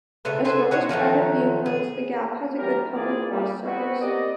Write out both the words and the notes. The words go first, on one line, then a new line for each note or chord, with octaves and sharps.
As well as private vehicles, The Gap has a good public bus service.
C#3 A3 B3 A4
G#4 A4 B4 C5
B3 F#4 G#4 C#5
D#3 F3 F#3 A3
G#4
B2 E3 G3 G4 A#4
E3 A#3 F4 G#4 D5
G3
B3 C4 F#4
A#3 C4 G4 D5 D#5